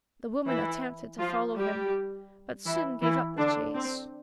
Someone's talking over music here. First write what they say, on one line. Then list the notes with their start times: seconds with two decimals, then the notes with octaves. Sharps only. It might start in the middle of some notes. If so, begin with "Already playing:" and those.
The woman attempted to follow him, but soon gave up the chase.
0.48 E3 E4
1.20 F3 F4
1.56 G3 G4
2.65 E3 E4
3.01 E3 E4
3.38 D3 D4
3.75 C4